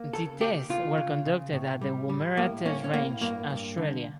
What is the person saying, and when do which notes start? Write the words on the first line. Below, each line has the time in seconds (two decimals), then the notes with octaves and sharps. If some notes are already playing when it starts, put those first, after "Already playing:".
The tests were conducted at the Woomera Test Range, Australia.
Already playing: A#3
0.13 C#3 A4
0.41 A#3 G4
0.69 C#3 F4
0.98 C#3
1.26 C#3
1.53 A2
1.81 G3
2.09 G3
2.37 A2 A#3
2.65 A#3 C#4
2.84 C#4
2.93 A2 A#3
3.21 G2 A#3
3.50 G2
3.78 D3